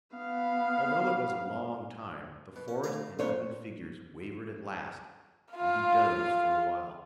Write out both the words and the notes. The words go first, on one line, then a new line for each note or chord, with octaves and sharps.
Although it was a long time, the forest and human figures wavered at last, and he dozed for a while.
B3 F5
B2
C#4
A3 F5 A#5
F2 C3 A3 C5 C#5
F4 F5